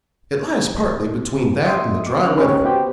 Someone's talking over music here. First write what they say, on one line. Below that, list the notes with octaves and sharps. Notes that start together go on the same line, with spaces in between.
It lies partly between that and the dry weather.
D#5 E5 C6 D#6
D6
C#4 F6 F#6
C#4 G4 C#5 D#5
B3 F#4 G4 C5 G5